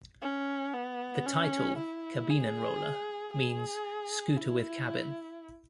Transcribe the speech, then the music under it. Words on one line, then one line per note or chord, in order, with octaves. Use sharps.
The title "Kabinenroller" means "scooter with cabin".
C#4
B3
C#4
E4
G#4
G#4
E4